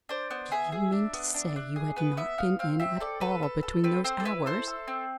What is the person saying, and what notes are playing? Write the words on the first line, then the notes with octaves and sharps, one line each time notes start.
"Do you mean to say you had not been in at all, between those hours!"
D4 C5
B3 C5
G#4 E5
G#4
D4
B3
D4
D4
G#4
B3 B4
B3 E5
B3 F5
C4 F5
C4 E5
A4 D5
A4 B4
A4
A4
C4 B4
C4 C5
A4
E4 B4
A4 C5
A4
C4